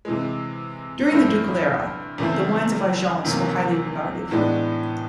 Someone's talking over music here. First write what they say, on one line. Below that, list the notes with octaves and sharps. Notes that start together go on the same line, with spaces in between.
During the ducal era the wines of Argences were highly regarded.
C3 E3 G#3
G2 E3 A3 C4
E2 C#3 E3 A3 C4
E2 C3 D#3 F#3 A#3
A2 E3 G#3 B3 D4